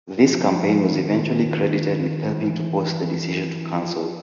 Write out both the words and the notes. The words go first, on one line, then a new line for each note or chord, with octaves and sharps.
This campaign was eventually credited with helping to force the decision to cancel.
F3
D#3
E3
F3